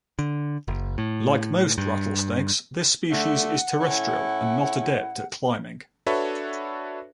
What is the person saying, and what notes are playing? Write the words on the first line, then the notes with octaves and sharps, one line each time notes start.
Like most rattlesnakes, this species is terrestrial and not adept at climbing.
D3
F#1
A2
G2
D3 A3 F#5
A2 C#4 E4
D4 F#4 A4 B4 C#5 E5